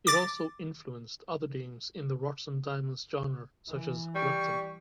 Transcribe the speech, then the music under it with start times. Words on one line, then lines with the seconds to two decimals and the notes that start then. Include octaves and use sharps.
It also influenced other games in the rocks-and-diamonds genre such as Repton.
0.07 D6 A6
3.67 E3
4.15 G3 C#6